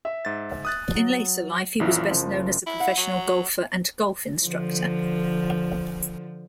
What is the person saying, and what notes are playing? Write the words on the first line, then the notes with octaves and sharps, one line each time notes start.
In later life, he was best known as a professional golfer and golf instructor.
E5
G#2 A6
D#6 F#6 A6
F#3
A#1 F#2 E3 E4 F4
F#1 F3
E4
F#5
F#3
D3 F3